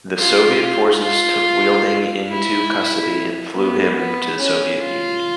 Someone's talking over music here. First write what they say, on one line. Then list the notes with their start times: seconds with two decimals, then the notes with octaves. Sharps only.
The Soviet forces took Weidling into custody and flew him to the Soviet Union.
0.18 F4
1.02 F4
2.28 E4
3.54 B3
3.96 B3
4.38 C#4
4.80 F4